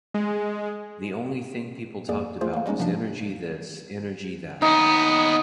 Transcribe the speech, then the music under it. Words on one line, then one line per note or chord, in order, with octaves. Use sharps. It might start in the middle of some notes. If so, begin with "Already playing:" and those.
The only thing people talked about was energy this, energy that.
G#3
F2 A#3 G#4 D5
A3 F4 G#4 C5
A#3 F5
G3 G#3 A#3 C#4 D#4
C3 F3 A#3 D4
D#2 B3 D#4